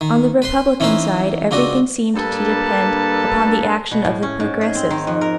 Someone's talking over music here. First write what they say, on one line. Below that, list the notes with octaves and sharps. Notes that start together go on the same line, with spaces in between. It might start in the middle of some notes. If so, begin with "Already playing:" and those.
On the Republican side everything seemed to depend upon the action of the Progressives.
D#3
B4 C5 C6
E3 C4 C#4 D#4 B4 C5
C#2 C4 D4 F#4 D#5
G2 A#3 D4 A4 B4 A5
B2
A2
C#4
G#2
G#4
C4
D#3
F2
A#4